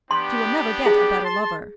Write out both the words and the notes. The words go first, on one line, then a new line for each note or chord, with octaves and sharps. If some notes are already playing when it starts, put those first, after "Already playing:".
"She will never get a better lover."
B3 D4 G4 C6
G#4
A5 C6